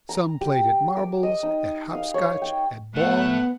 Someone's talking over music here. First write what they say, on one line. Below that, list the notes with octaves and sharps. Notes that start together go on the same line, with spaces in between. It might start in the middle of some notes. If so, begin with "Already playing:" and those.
Some played at marbles, at hopscotch, at ball.
A#5
G4
D6
D#5
D#4
F5
C#5
G5
A2 B3 F#5